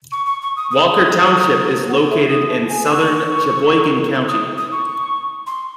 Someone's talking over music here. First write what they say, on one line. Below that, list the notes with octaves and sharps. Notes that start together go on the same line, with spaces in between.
Walker Township is located in southern Cheboygan County.
C#6
C#6
C#6
D#6
D#6
F#5
E5
D#6
A5
G#5
C#6
D#6
D#6
C#6
C6